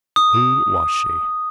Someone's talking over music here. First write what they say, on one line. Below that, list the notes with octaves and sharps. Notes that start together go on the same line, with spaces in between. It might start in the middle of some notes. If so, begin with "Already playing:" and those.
Who was she?
D#6